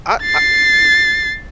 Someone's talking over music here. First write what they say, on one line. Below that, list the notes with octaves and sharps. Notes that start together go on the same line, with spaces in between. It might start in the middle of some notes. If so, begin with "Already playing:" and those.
I I
A6 C7